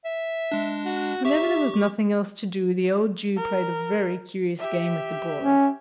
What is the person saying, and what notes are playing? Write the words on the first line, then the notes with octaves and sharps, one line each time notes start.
Whenever there was nothing else to do, the old Jew played a very curious game with the boys.
E5
G#3 D4
F#4
G4 E5 C#6
A#4
G4 E5
C#4